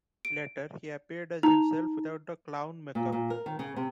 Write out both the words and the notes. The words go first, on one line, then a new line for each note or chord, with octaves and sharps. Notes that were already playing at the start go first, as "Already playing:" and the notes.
Later, he appeared as himself without the clown makeup.
D7
D#4 A#5 F7
A#2
A#2
A#4
D#3
C#3
C3